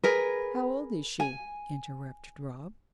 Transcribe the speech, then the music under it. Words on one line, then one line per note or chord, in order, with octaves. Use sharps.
"How old is she?" interrupted Rob.
G#4 A#4 B4
G#5